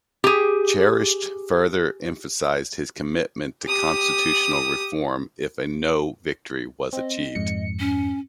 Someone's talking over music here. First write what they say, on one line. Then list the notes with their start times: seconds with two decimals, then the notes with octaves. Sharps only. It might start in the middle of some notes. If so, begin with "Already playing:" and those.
Charest further emphasized his commitment to constitutional reform if a "No" victory was achieved.
0.24 G4 G#4
3.65 G4 D#6
6.93 C4 D#5
7.35 F2 G#2 C#7
7.80 C#4